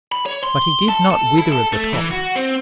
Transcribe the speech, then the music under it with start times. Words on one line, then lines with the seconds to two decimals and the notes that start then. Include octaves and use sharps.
But he did not wither at the top.
0.12 B5
0.26 C#5
0.44 C6
0.89 A4
1.11 A4
1.38 E4
1.52 A4
1.73 A3
1.93 E3
2.11 F#4
2.36 C4